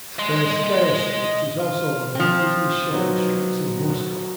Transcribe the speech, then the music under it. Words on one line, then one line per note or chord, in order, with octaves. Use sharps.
Tverskaya Street is also one of the busiest shopping streets in Moscow.
D#5 C6
F4
F3 C4
F#3 B3 D#4